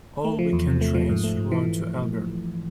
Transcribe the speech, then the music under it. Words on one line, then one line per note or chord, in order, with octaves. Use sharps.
All weekend trains run to Elburn.
A3
F3
E2
C3
A3
F3
G#2
A3
G#2
E3